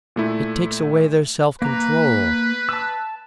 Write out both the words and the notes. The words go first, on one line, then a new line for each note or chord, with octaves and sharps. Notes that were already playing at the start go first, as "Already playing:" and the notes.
It takes away their self-control.
A#2 A3 E4
A#3 B4 A#5
A5 E6